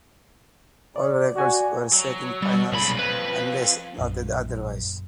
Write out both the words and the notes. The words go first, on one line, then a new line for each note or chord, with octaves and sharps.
All records were set in finals unless noted otherwise.
D5
F#4 D5 G#5
F#3
G3
B1 A#2 C#3 B5
F2 B4
A#1 F#2